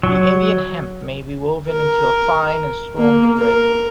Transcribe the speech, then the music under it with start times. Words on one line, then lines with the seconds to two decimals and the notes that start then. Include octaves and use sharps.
The Indian hemp may be woven into a fine, and strong thread.
0.03 F#3
1.68 A#4
2.98 A#3
3.38 A#4